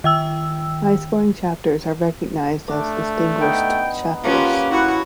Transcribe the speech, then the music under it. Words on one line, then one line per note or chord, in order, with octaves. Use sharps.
High scoring chapters are recognized as Distinguished Chapters.
D#3 G5 E6
A3 D4 D6
B3 D#4 G5
F3 A#3 C#4 F4 G4 B4 F#5
E4 F#4 B4 C#5 F#5 G#5